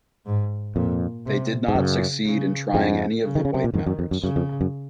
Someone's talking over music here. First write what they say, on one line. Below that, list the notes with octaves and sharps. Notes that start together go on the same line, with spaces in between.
They did not succeed in trying any of the white members.
G#2
F2 A#2
C3
G#2
F#2 C#3
C#3
F2 G#2
C#3
D#3
C#3
C3
A#2
F2 G#2 D#3
F#2
F2
F#2
F#2 C#3
F2
F#2